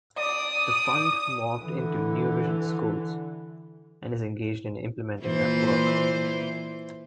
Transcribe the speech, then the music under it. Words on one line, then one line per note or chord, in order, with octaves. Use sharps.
The Fund morphed into New Visions Schools and is engaged in implementing that work.
D5 D#6
D3 E3
A#2 E3 C5